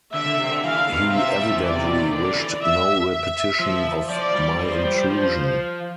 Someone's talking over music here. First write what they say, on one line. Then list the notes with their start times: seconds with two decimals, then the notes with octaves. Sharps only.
He evidently wished no repetition of my intrusion.
0.13 D3 E5
0.26 D3
0.39 C3
0.51 D3
0.64 E3 F5
0.76 D3
0.88 B2
1.01 C3
1.12 C3 E5
1.25 C3
1.38 G3
1.50 F3
1.62 E3 D5
1.75 C3
1.86 B2
2.00 C3
2.12 D3 D5
2.25 D3
2.36 E3
2.62 E5
3.11 E5
3.60 F3
4.09 F3 D5
4.34 G3
4.58 E3 C5
4.71 F3
4.84 G3
4.96 G3
5.09 F3